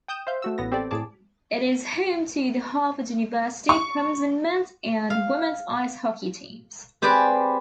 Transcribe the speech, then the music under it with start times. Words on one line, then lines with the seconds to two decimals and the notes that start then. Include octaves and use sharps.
It is home to the Harvard University Crimson men's and women's ice hockey teams.
0.08 G5 D#6 G6 E7
0.27 C5 E5 F5 G6
0.42 A3 F#4 E6
0.58 A1 B3 A#6
0.72 C4 G4 A4 D5
0.91 A2 G#4 A5 D6
3.69 C#6
5.10 F5
7.02 C4 G4 G#4 B4 D5